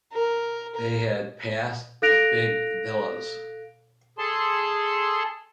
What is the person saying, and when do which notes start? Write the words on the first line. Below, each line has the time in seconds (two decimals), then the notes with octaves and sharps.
They had passed the big villas.
0.13 A#4
0.75 A#4
2.02 A4 F5 F#6 A#6 D7 F7
4.18 G#4 A4 A5 C6